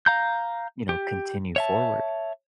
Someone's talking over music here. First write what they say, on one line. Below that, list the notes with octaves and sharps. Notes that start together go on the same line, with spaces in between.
you know, continue forward,
F5 A#5 G6
G4
C#5 E5 A5